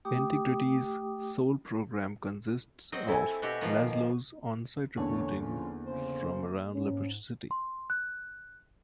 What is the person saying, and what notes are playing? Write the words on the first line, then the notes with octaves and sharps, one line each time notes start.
Integrity's sole program consists of Lazlow's on-site reporting from around Liberty City.
A3 G4 G5 D6 D#6
F#3 C4 D#5
E4 A4 G#5
B2 F#4 G4
B2 D#3 F3
E2 D3 A#3 C#4 D4 A4 C#5
F3 C#4 F4
C#3 C#4 C5
G#2 C#4
C6
F#6